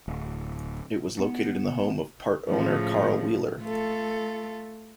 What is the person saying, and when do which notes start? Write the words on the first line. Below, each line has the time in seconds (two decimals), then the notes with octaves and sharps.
It was located in the home of part-owner Carl Wheeler.
0.08 D1
1.19 B3
2.49 A2 C#3 F3
3.62 A3 F4 A4